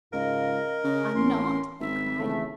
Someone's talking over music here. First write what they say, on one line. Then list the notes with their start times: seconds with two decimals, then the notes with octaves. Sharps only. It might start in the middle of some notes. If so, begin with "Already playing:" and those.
"I'm not?" he cried.
0.13 C#2 G#2 A#4 D#5 F5
0.84 C#3 C#4
1.14 A1 C6
1.80 G#1 E5
2.18 C#3 E3 A3